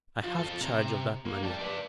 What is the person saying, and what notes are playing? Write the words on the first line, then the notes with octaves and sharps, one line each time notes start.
I have charge of that money.
F3
F4 A4
C3 A#5
A#3
G3 A5
B4 D5